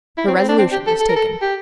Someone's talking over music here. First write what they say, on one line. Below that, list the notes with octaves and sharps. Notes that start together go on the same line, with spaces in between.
Her resolution was taken.
E4
C4
C4
D4
C4
G4
A4
A4
A#4
A4
G4